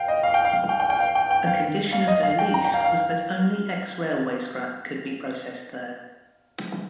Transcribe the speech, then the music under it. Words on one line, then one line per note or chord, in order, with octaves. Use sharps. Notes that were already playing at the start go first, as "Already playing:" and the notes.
A condition of their lease was that only ex-railway scrap could be processed there.
Already playing: F5 G5
D#5
F5
G5
F5
G5
G5
G5
F5
G5
G5
F5
F5
D#5
F5
G5
A#5
G5
F5
F5